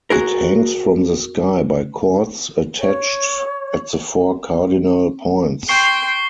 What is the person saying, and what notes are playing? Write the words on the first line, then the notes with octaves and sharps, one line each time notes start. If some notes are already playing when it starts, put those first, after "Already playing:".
It hangs from the sky by cords attached at the four cardinal points.
F#4 G#4 A#4
C#5
G5 C6 C#6 C7 G7